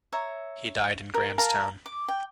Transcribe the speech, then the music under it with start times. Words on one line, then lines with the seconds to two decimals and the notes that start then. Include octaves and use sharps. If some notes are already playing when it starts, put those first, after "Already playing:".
He died in Grahamstown.
0.13 C#5 E5 A#5
1.14 A#4
1.38 A#4 F5 A5 A#5
1.86 D6
2.08 G5